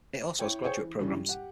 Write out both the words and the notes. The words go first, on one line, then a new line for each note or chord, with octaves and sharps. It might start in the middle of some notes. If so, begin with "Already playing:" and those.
It also has graduate programs.
E4 C#5 G5
G#4 C5 C#5 G5
E3
G2 C#3 E3 G3 C#4
G3
G4 F#5